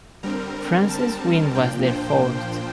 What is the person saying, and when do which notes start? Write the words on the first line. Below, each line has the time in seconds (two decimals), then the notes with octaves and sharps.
France's win was their fourth.
0.23 D3 G3 C4 A#4
0.56 A#4
0.88 A5
1.21 A5
1.54 A#2 F3 A#3 D4 G5
1.87 C5